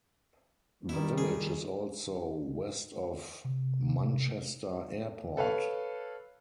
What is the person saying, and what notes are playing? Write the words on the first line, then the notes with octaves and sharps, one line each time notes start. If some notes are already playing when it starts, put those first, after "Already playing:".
The village is also west of Manchester Airport.
D#3 G3 E4
G#4
C3
A4 B4 C#5 F5